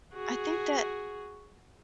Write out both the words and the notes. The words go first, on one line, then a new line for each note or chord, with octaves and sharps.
I think that
F#4 G#4